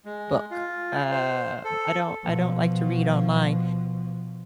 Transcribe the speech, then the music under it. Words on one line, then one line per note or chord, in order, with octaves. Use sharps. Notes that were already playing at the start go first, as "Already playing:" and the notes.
book. Uh, I don't I don't like to read online,
G#3
F4
C5
A4
B2 F3